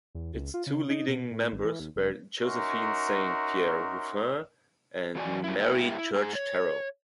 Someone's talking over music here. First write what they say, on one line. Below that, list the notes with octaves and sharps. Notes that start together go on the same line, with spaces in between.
Its two leading members were Josephine Saint Pierre Ruffin and Mary Church Terrell.
E2
C#2
F4
C#3
D#4
B2
A2
G#1
E3
D#2
F1
C#4 D#4 F#4 A#4 E5 C6
E3 F#4 D5 G#5
G3 E4
G2 A#3 E4 G4
E4
G#2 G#4
C#5